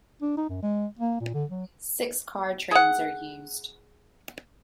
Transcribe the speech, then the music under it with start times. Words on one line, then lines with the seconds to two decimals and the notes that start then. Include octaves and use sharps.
Six-car trains are used.
0.22 D4
0.37 D#4
0.49 F#2
0.62 G#3
0.99 A#3
1.20 A#2
1.34 D3
1.50 F#3
2.71 G#4 F#5